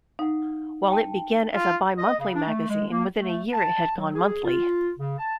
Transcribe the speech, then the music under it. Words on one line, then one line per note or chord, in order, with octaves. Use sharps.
While it began as a bimonthly magazine, within a year it had gone monthly.
D#4 F5 F#5
G5 A5
F4
D#5
C#3
D4
A3
G#3
A#3
A3
A5
F#3
G#4
F4
C#3
A5